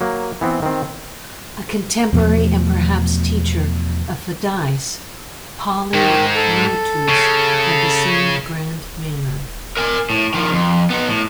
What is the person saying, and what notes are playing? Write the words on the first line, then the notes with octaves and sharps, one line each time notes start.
A contemporary and perhaps teacher of Pheidias, Polygnotus had the same grand manner.
F#3 A#3
E3 B3 C4
D#3 C4
E2 B2 F3 A3
G#2 D#3
A4
C#3
A#4 G#5
A2
D#3 F3
F2
B3 D#4
A2